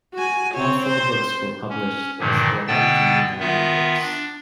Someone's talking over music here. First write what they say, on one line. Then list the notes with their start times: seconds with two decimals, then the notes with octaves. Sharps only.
All four books were published as "What-Do-I-Do-Now Books".
0.14 F#4 G#5
0.54 C4 C#5
0.86 C5
1.69 C#4
2.19 G2 A#2 D3 D#3 F3
2.68 B2 D3 B3 G5 A5 A6
3.40 D#3 B3 F4 E5
4.02 D4